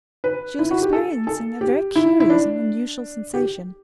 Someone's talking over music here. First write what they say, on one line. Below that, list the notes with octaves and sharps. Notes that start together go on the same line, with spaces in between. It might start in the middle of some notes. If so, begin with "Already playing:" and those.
She was experiencing a very curious and unusual sensation.
B4
E4
F#4
G4
A4
A4
G4
E4
E4
D4
G4